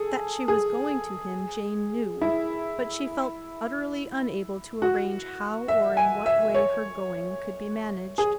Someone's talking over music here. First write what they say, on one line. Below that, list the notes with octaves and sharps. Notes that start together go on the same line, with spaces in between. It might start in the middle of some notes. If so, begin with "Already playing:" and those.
That she was going to him, Jane knew; but she felt utterly unable to arrange how or in what way her going could be managed.
Already playing: G#4 A4
G#4
E4
F#4
E5
G#5
E5
C#5
G#4